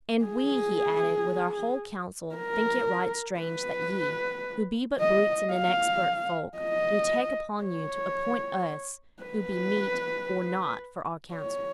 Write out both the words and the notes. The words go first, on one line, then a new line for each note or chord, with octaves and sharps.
"And we," he added, "with our whole council, think it right strange that ye, who be but brutes and inexpert folk, do take upon you to appoint us who be meet or not for our council."
G#4
A#4
B4
D#5
F5
D#5
C#5
B4
C#5